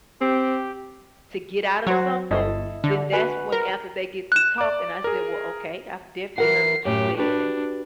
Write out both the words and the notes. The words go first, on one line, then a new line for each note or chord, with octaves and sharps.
to get out of something, then that's when after they get through talking, I said, "Well, okay. I've definitely heard what you said, and
C4 G4
F#3 F#4 C5
G1 E4 A4 D#5
D3
F#4 B4 G#5
A#4
F#6 E7
D5 D6
G#4 A#4
E3 A#4 F#5 C7
F#2 A2 F#3 G4
D4 F#4 G4 B4